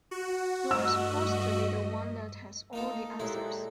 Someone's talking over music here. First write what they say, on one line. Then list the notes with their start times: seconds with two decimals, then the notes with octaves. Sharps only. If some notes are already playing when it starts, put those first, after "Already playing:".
You're supposed to be the one that has all the answers.
0.11 F#4
0.71 G2 A3 D#5 E6
2.73 A#3 D#4 F4 A4
3.20 A#2 F#3 G#3 E4 G4 A4